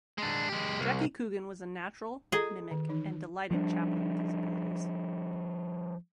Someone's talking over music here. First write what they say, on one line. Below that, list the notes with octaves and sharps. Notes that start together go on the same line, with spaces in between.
Jackie Coogan was a natural mimic and delighted Chaplin with his abilities.
G#3 D4
G#3 G4
C2
F4 G#4 A4 D#5 A#5
D#3
E3 D#4
F3 G3 A3 D4